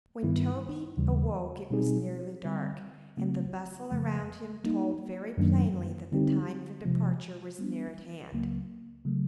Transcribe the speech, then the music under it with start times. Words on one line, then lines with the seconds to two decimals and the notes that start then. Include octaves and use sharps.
When Toby awoke it was nearly dark, and the bustle around him told very plainly that the time for departure was near at hand.
0.23 G2 D#3 G3 B3 E4
0.97 D#2 C#3 E3 G3
1.70 B2 G3 C4 D#4 G#4
2.45 D3 G3 C4
3.17 C#3 F#3 A3 C4 E4
3.91 F2 C#3 F3 A3
4.64 G3 A#3 D#4
5.37 F#2 D#3 F#3 A#3 D4
6.12 D3 G3 C4 D#4 G4
6.85 C3 F3 G#3
7.59 G3 B3 D4
8.32 C#2 C#3 F#3 A#3
9.05 C#3 F#3 A3